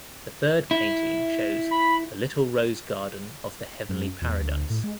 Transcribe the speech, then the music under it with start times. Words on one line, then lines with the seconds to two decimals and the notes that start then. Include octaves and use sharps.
The third painting shows "The Little Rose Garden of the Heavenly Paradise".
0.71 E4
1.71 B5
3.89 F#2
4.22 E2
4.41 D2
4.70 A2
4.84 G#3